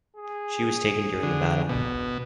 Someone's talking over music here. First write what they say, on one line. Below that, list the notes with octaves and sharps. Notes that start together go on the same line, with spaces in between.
She was taken during the battle.
G#4
D3
B2